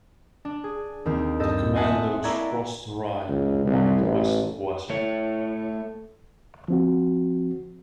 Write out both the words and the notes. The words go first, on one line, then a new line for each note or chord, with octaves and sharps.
The Commandos crossed the Rhine at a point west of Wesel.
D4
G#4
D#2 D#3 C4 F6
G2 A4 D#5 G6
C5 D#5 E5 F#5 G#5 A5
A#3 E4 D5 A#5 C#6 G#6
C#2
C2
A1
A3 E4 C#5
F3 C4 F#4